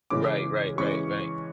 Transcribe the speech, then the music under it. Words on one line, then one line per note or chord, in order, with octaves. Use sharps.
Right, right, right, right.
C#3 E3 G#3 C#4 D6
E3 G#3 C#4 C#6